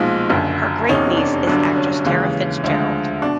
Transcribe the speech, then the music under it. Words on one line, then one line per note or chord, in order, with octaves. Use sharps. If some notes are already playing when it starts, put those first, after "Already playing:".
Her great-niece is actress Tara Fitzgerald.
Already playing: B1 A#2 F3 G#3 D#4 F4
F#1 F#2 D3
F1 E2 C3 C#4 D#4
D4
G1 G2 D3 F#3 D4
C#4
D#2 C#3 E3 G#3
D2 D3 F3 G#3
B2 D4